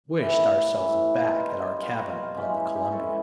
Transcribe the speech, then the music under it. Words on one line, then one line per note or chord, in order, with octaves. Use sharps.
We wished ourselves back at our cabin on the Columbia.
A2 E3 G3 E4
A2 E3 G3
A#2 G3 B3 D#4 F4
A#2 G3 B3 D#4 F4
F#4
F4
F4
E3 G#3 C#4 G4
G#4
G4
G#4
E3 G#3 C#4 A4